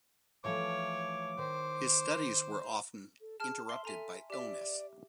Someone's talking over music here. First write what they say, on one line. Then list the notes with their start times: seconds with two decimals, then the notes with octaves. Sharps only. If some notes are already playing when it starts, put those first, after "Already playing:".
His studies were often interrupted by illness.
0.45 E3 F3 A3 C#5 D6
1.38 D#3 C5
3.21 A4
3.40 G#4 A5 F6
3.69 E5 C6 C7
3.85 A4 E5 G#5 A#5
4.30 G4 D5 E5